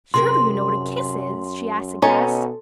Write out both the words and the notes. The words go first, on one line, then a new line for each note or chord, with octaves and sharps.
"Surely you know what a kiss is?" she asked, aghast.
F#2 C3 G#4 A#4 C6
B2 C#4 D#4 A4 C#5